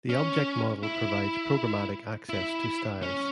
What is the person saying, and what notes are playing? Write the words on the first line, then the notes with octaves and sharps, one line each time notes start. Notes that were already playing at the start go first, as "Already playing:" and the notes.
The object model provides programmatic access to styles.
C#4
E4
E4
C#4